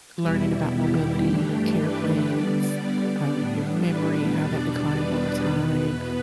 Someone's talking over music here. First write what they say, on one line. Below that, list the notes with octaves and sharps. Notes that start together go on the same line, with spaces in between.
learning about mobility, care plans, uh, your memory, how that declines over time,
E2 B2 G3 E4
G4
G2 E3 A3 D4
B4
D3 G3 B3 D5
A2 G3 B3 D4
B4
E2 B2 G3 B3 D4 D5
B4
E2 B2 B3